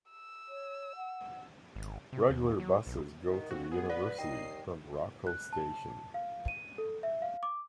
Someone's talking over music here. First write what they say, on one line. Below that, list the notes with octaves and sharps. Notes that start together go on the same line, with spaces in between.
Regular buses go to the university from Rokko station.
E6
C#5
F#5
G#1
C3
D#2
F#3
B1
D#3 B3
F2 C4 F#4
B3 G#4
B4 D5
D#2 D#5 G5 C7
F#6
A5
F5
D#7
A4
E5
F5
D6